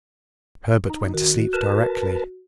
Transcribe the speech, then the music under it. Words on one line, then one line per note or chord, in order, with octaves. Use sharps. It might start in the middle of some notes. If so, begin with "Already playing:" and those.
Herbert went to sleep directly.
D#4
D#3 F#4
A#4 B4 A5